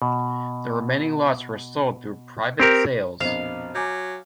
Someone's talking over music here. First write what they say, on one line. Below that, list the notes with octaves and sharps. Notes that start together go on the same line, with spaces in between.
The remaining lots were sold through private sales.
B2
C4 G4 A#4
A#1 F2 B2 C5 D#5 F5
F#3 G#5 A#5 D6 G6